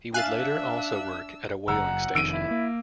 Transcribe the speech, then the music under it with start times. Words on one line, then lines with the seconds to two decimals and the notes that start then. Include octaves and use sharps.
He would later also work at a whaling station.
0.14 D4 E5 F5 G#5 E6 F#6 A6
1.68 F#1 F#5 A#5 E6
2.15 F1 F2 D#3 E6 D7 D#7
2.31 E4
2.51 A#3